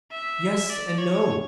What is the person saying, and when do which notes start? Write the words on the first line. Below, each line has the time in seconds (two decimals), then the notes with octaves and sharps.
"Yes and no."
0.12 E5
0.70 D5
0.98 C#5